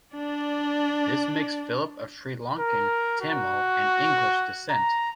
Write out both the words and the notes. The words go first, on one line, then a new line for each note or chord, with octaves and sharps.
This makes Philip of Sri Lankan Tamil and English descent.
D4 D5
A#4
F#4
A#5